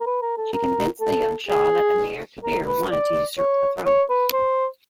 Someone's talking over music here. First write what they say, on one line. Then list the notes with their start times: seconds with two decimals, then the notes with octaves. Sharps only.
She convinced the young shah that Amir Kabir wanted to usurp the throne.
0.01 A#4
0.06 B4
0.22 A#4
0.37 A4
0.53 A#4
1.01 A4
1.49 G#4
2.44 A#4
2.67 B4
2.91 D5
3.38 C#5
3.86 C#5
4.10 B4
4.33 C5